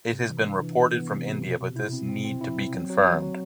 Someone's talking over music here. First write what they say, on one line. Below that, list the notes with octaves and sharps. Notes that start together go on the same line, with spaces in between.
It has been reported from India but this need to be confirmed.
C3
E3
D4
E3
E3
B3
C3
C3
B2
B2
E4
C4
C4
C4
E4
C4
F#3
F#3
F#3
F#3